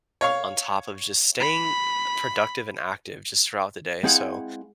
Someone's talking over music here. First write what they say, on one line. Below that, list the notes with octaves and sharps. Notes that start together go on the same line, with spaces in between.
on top of just staying, uh, productive and active just throughout the day, so,
C#5 F5 C#6
B5
G#3 C4 E4 G#4 F5 F#5